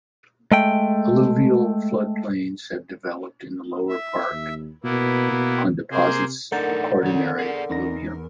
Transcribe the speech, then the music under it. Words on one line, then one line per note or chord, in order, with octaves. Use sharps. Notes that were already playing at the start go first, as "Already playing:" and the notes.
Alluvial floodplains have developed in the lower park on deposits of quaternary alluvium.
G#3 A3 G5
E5
D#2
B2 A#3 B3 E4
B2
C3 A#3 G#4 C5
D3 A3 D4 D#4 A#4 F#5 G6 A6
D#3 C#5
G#4 D5
E2 D#4 A#6